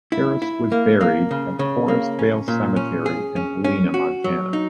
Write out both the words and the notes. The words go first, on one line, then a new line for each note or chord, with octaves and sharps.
Harris was buried at Forestvale Cemetery in Helena, Montana.
E4
E4
A#3
A#3
C#3
C#3
A#3
C#4
A#2
C#4
G#4
C#4
C#4
F#4
F#3
D#4